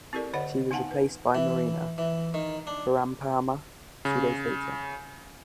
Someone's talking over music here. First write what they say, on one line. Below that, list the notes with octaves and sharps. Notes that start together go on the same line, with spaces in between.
She was replaced by Marina Barampama two days later.
C4 E4 G4 A4 A#4 D5
D3 C#5 D#5 F#5
B3 D#4 F5 F#5 G#5 A5
B4
E3
E3
D#3
D4
C#3